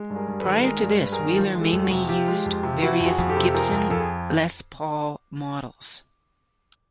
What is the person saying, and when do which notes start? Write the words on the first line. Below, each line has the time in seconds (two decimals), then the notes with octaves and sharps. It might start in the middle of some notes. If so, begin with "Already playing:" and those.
Prior to this Wheeler mainly used various Gibson Les Paul models.
Already playing: G#3
0.10 G2
0.16 G#4 A#4
0.28 G2
0.40 A4 B4
0.46 D#3
0.55 B4
0.64 G#3 G#4 A#4
0.82 G2
1.01 G2 B4
1.12 G#4 A#4
1.19 D#3
1.37 F3
1.55 G#3
1.61 G4 A4
1.73 F2
1.85 F#4 G#4
1.91 C3
2.09 F3 F4 G4
2.28 G#3
2.46 F2
2.63 C3
2.82 F3 E4 F#4
3.00 F2
3.05 F#4 G#4
3.18 F2
3.30 G4 A4
3.37 C3
3.54 F3 G#4 A#4
3.72 F2
3.90 F2 A4
4.00 G#4